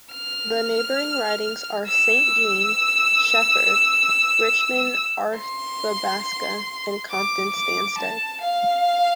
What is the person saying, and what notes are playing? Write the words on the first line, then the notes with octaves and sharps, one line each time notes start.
The neighbouring ridings are Saint-Jean, Shefford, Richmond-Arthabaska, and Compton-Stanstead.
F6
E6
C6
D6
D6
A5
F5